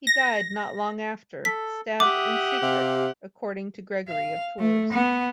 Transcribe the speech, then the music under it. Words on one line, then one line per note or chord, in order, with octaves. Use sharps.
He died not long after, stabbed in secret according to Gregory of Tours.
A#6
A4 B6
G4 E5 F#5 D6 D#6
C3 F5
F5
A3
B3